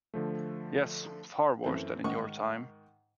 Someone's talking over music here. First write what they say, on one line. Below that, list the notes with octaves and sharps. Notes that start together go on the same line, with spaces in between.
Yes, far worse than in your time.
D3 F3 A3
F#2 E3 A3 C4
G#2 D#3 D#5 F#5 C#6